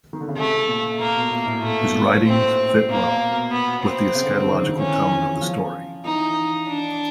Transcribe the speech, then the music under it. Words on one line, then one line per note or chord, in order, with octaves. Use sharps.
His writings fit well with the eschatological tone of the story.
D#3
D3
C#3
C3 A3
A#2
A#2 A#3
B2
A#2
A2
A#2 A3
B2
A#2
A#2
A2 C4
A#2 A#3
B2
B2
B3
C4
C#3
D3
C#3
D#3
D#3
E3 C#4
F3
E3 D#4
D4